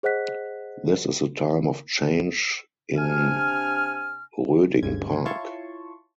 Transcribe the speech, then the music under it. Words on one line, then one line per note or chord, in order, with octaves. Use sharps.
This is a time of change in Roeding Park.
G#4 C5 D#5 F#5 F#6 B6
C3 D4 G#5 F6
G1 D2 G2 C#3 G#6
E4 F4 C#5 A5 C6 C#6